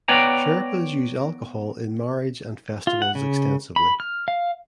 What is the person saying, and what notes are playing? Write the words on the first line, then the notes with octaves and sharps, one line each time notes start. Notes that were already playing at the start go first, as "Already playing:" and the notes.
Sherpas uses alcohol in marriage and festivals extensively.
B3 B4 C#5 D5 G5 A#5
F4
F#5
C#3
B5
F6
F5